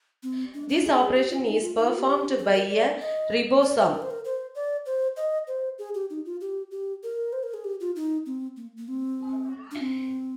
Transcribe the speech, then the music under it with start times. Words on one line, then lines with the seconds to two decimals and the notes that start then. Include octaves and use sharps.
This operation is performed by a ribosome.
0.23 C4
0.54 D4
0.69 D4
0.85 G#4
1.16 G4
1.30 F4
1.46 D#4
1.62 F4
1.77 D#4
1.88 F4
1.98 G4
2.39 G#4
2.54 A#4
2.69 D5
3.01 D#5
3.63 D5
3.78 C5
3.93 A#4
4.02 C5
4.11 A#4
4.25 C5
4.55 D5
4.86 C5
5.17 D#5
5.47 C5
5.79 G#4
5.94 G4
6.10 D#4
6.25 F4
6.41 G4
6.71 G4
7.03 A#4
7.33 C5
7.43 A#4
7.54 G#4
7.64 G4
7.80 F4
7.96 D#4
8.26 C4
8.57 A#3
8.77 A#3
8.88 C4
9.71 D4
9.80 C4